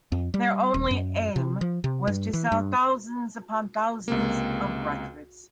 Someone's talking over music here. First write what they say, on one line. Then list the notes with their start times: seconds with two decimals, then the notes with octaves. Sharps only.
Their only aim was to sell thousands upon thousands of records.
0.12 F2
0.34 G3
0.74 D#1
0.91 F#2
1.36 C3
1.61 F3
1.84 C3
2.07 G2
2.34 E3
2.52 G2
4.08 C#2 C3 A#3